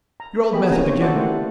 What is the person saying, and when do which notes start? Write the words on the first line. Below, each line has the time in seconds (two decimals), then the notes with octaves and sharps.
Your old method again.
0.20 A#5
0.53 B3 G4 G#4 D#5 B5
0.70 A#3 C4 C#4 G#5 A#5
0.87 C5 C#5
1.01 F#4 A4 C5 D5 F#5
1.16 A3 A#3 E4 G4 C5 F#5